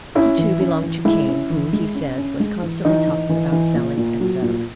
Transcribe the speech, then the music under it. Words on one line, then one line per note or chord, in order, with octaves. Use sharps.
He too belonged to Cain who, he said, was constantly talking about selling, etc.
C#4 E4
E3
C#4
E3
G#3 E4
C#4
E3
G#3
C#4
C#4
G#3
E3
E3 D#4
E3
E3
E3
A#2
A#2
F#3
A#2